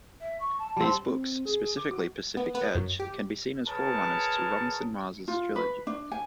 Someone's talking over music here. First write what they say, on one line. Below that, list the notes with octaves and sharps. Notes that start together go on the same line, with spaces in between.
These books, especially "Pacific Edge", can be seen as forerunners to Robinson's Mars trilogy.
E5
C#6
A5
G3 C4
C4
G#4
D6
F#4
B3
B3
F#2
G4
G#4 A#4 B4 C#5 A5
F4
B4
D4
G#5